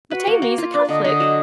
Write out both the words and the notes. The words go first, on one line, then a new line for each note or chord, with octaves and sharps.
"But Aimee is a Catholic?"
F#4 B4 F#5
A#3
A#3
F4
D4 D5 D6
D3 D#5 D#6
D3 D#5 D#6
F#3